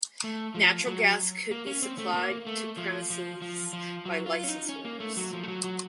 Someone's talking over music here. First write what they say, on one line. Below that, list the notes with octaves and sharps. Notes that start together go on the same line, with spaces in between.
Natural gas could be supplied to premises by license holders.
A3
F3
F#3
A#3
C#4
C4
A3
A#3
A3
F3
F3
F3
F3
F#3
F4
C#4
D#4
C#4
A#3
A3
F#3
F3
A3
F#3
F#3